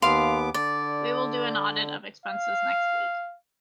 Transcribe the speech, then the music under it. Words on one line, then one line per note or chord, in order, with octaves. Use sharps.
We will do an audit of expenses next week.
D#2 B3 F5 C6 D6
D3 D5
F5